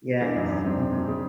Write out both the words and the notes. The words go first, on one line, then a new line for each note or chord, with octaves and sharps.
Yes, mhm.
E3 D4
F#2 D#4
F#2 D4
F#2 C4
F#2
F#2
C#3